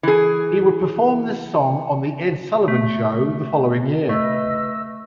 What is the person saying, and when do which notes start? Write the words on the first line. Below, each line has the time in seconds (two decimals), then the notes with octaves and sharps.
He would perform this song on The Ed Sullivan Show the following year.
0.03 E3 G#4
2.68 A3
4.09 A3 B4 D#5 E6